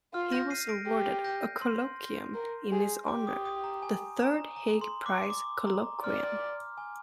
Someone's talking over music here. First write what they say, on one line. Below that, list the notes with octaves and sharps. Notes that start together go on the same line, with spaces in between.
He was awarded a colloquium in his honour: The Third Hague Prize Colloquium.
F4 F6
G6 A#6
C7 D#7
A#6 D7
G4
G6 A#6
C6
A#4
G#4
G4 D6
D#6
D#6
A#5
G#5
A#5
A#5
C6
D6
D6
A#5
D5 F6
G#5